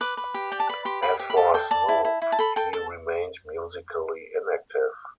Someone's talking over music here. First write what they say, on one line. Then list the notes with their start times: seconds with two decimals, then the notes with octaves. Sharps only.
As for Smooth, he remained musically inactive.
0.01 B4 D6
0.17 B4
0.34 G4
0.52 D5 G5
0.60 A5
0.69 B4 B5
0.85 G4 C6
1.02 G4 B5
1.19 G4
1.30 B5
1.37 A4 A5
1.54 A4 G5
1.71 D5 A5
1.89 E4
2.05 E4
2.22 E4
2.32 A5
2.39 A4 B5
2.56 A4 G5
2.73 A4 A5